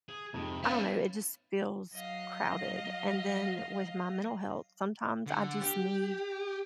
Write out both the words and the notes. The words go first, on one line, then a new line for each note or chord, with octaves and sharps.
I don't know. It just feels crowded, and then with my mental health, sometimes I just need
G#4
F2 G#2 C3
B3 C#4 D#4 E4 F5 B5 A6
F#3 D#5 F5
D3
G4